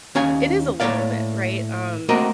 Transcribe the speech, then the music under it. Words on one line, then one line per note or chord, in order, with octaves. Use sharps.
it is a little bit, right? Um,
D#2 C#4 F5 G#5
A2 A#3 C#5 D5 F5
A3 A#3 C4 F#4 A#4 D#5